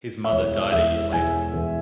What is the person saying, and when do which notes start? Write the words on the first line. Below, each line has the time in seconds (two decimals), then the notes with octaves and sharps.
His mother died a year later.
0.24 E5
0.31 E1 C#5
0.72 E2 E3 E5
1.12 E1 G#5
1.53 E2 E3